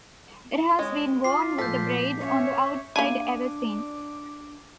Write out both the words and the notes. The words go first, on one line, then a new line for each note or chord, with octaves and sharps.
It has been worn with the braid on the outside ever since.
G#3 C#4 D#5
F4 D6 C7
A#2 F3 A4 G6 B6
C#4 C#5 E5
A#3 D4 E4 G#5 D6